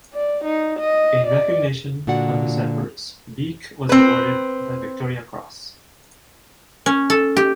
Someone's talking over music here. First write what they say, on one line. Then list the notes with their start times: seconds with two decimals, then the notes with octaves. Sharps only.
In recognition of his efforts, Beak was awarded the Victoria Cross.
0.14 D5
0.45 D#4
0.80 D#5
1.27 D5
2.07 A#2 D3 F#4 D5 F#5
3.89 C4 B4
6.86 C#4
7.10 A4
7.37 G4